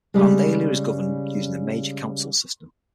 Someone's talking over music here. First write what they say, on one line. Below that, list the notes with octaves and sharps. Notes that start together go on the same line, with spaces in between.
Vandalia is governed using the mayor council system.
C#3 G3 G#3